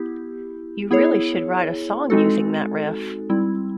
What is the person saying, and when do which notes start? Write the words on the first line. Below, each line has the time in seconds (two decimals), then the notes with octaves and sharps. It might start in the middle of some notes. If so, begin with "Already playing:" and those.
You really should write a song using that riff.
Already playing: B3 E4 G4
0.91 B3 E4 G#4 C#5
2.10 G#3 C4 D#4 F#4 A4
3.29 G3 C4 E4